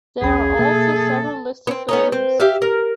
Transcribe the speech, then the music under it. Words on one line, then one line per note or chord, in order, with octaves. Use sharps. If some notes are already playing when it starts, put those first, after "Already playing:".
There are also several listed buildings.
A#1 D#2 C#4 G#4 B5
B2 A#3 A4 E5
B3 C4
B3 C#4 D#4
C4
G4 E5 F5
A#4